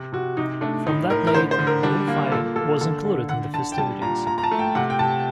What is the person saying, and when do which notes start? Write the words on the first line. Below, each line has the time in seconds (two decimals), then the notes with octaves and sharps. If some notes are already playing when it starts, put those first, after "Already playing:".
From that date bullfighting was included in the festivities.
Already playing: C3
0.12 C3 F#4
0.37 C3 D#4
0.61 A3 D4
0.87 A2 D#4
1.10 A2 A#4
1.27 A#4
1.34 D3 C5
1.51 C5
1.59 D3
1.67 A#4
1.83 G3 D4
2.08 A#3
2.32 A#2 A4
2.56 A#3 A4
2.81 D3 A4
3.05 D3
3.29 D3 F#5
3.54 D3 A5
3.72 G5
3.78 G3 A5
4.02 A#2 A#5
4.27 A#2 A#5
4.38 A#5
4.43 A5
4.51 A3
4.59 G5
4.75 C3 F#5
4.90 G5
4.99 C3 A5